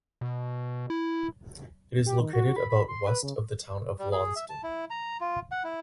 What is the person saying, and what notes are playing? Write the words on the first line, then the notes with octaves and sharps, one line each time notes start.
It is located about west of the town of Launceston.
B2
E4
G4
D#3
F#4
F#4
B5
B5
C6
B4
C#3
G3
G#4
E5
A5
E4
A#5
F4
F#5
E4